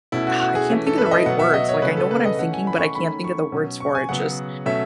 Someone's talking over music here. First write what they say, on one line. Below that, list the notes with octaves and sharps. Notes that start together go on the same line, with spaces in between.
Ah! I can't think of the right words, like, I know what I'm thinking, but I can't think of the words for it, just
B2 A3 C#4 E4
F#4
F#4
G#4
E3 A3 C#4
A4
B4
E5
D#5
B2 F#3 B3 F#5
E5
D#5
C#5
C#3 F#3 A3 C#4 B4
A4
B4
D#5
E3 A3 C#4 F#5
G#5
B5
C#6
D#3 A3 C#4 B5
C#6
B2 F#3 C#4
C#6
G#5
C#3 F#3 B3 F#5
B2 F#3 A3 C#4 E5